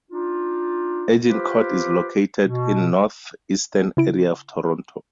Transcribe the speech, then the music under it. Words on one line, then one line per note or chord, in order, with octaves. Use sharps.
Agincourt is located in north-eastern area of Toronto.
D4 D#4 F4
F4 G4 B4 C5 D6
B2
C#3 E4 D7